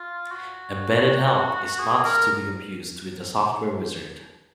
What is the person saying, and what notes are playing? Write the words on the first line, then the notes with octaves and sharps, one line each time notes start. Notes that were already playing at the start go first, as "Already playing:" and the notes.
Embedded help is not to be confused with a software wizard.
Already playing: F4
F#4
G#4
A#4